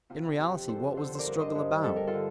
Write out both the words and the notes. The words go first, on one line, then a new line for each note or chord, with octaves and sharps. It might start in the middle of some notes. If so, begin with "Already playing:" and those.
In reality, what was the struggle about?
C3 F4
F2 G4
D4 A4 C5
D3 A4 C5
A#4 C5 D5
G2
C5 D#5
G2
G3 A4
A#4
F4 A4
D3